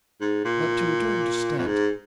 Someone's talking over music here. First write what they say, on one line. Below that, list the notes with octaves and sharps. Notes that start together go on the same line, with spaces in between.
But to return to Stanton.
G#2
A#2
F2
G#2